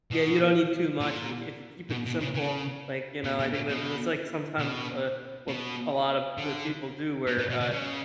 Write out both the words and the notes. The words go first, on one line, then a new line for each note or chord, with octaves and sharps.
Yeah, you don't need too much if you kee if you keep it simple. Like, you know, I think that that's, like, sometimes, uh, what a lot of the people do where, uh,
B2
A#2
B2
B2
C#3
C#3
B2
B2
A#2
B2
B2
B2
D3
B2
A#2
B2
C#3
C#3